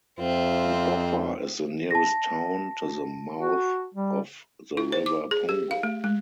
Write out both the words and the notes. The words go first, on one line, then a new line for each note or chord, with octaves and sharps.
Boffa is the nearest town to the mouth of the River Pongo.
F2 C4 F4 E5
A5 A#6
F#4
G3
E4
C5
D6
G#4
G4
F5
A3
G#3